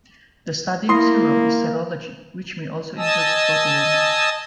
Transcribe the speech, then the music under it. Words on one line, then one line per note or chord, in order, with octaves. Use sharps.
The study of serum is serology, which may also include proteomics.
A#3 E4 C6 D#6 A#6 C7
D#5 G#5 A5 D#6 E6